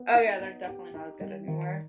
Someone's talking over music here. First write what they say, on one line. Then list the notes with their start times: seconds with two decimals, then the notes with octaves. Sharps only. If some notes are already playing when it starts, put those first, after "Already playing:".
Oh yeah, they're definitely not as good anymore.
Already playing: B3
0.14 D#4
0.41 B3
0.67 G4
0.94 D#4
1.21 G3
1.48 D#3